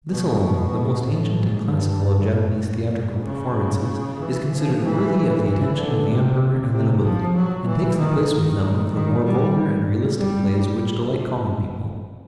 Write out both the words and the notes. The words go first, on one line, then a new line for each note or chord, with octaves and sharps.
This alone, the most ancient and classical of Japanese theatrical performances, is considered worthy of the attention of the Emperor and the nobility, and takes the place with them of the more vulgar and realistic plays which delight common people.
B2
A2
G#2
G2
F#2
G#2
C#3
E3
F3
E3
E3
D3
C3
C3
F3
F#3
E3
D#3
D#3
D#3
G3
G3
G3